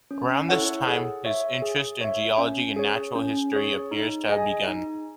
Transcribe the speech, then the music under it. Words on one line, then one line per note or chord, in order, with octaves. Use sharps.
Around this time his interest in geology and natural history appears to have begun.
C#4
E4 A4 C#5 F#5
G#4
C#5 E5
G#4
C#5 E5
C#4
G#4 C#5
C#4
G#4 C#5
D#4
G#4 D#5 G#5
D#4